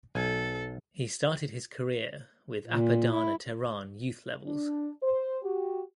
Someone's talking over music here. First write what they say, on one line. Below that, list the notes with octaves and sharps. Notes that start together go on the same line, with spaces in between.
He started his career with Apadana Tehran youth levels.
B1 A4 G#5
A#2
E4
D4
C5
F#4 G4